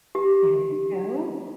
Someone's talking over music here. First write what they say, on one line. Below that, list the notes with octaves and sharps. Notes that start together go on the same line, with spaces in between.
There you go.
G4